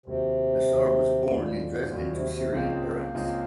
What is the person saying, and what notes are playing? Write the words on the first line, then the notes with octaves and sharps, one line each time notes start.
Nasr was born in Dresden to Syrian parents.
D#2 C3 D#3 F#3
D#2 D#3 F#3
D#2 A#2 D#3 F#3
F2
F#2
G#2
D#2 A#2 D#3 F#3
C3
C3
C#2 C#3 G#3 A#3 C4 F4
C#2 C#3 G#3 C4 F4